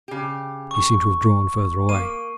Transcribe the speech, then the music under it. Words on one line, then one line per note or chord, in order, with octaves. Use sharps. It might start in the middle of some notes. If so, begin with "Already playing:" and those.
He seemed to have drawn further away.
C#3 G4
C#6
A#3 D#7